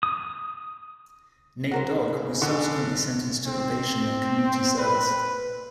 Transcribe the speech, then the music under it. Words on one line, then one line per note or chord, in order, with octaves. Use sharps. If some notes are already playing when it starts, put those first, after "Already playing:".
Nate Dogg was subsequently sentenced to probation and community service.
D#6
C#3 F#4 A#4 C5
D3 F#4 G#4
C4
B4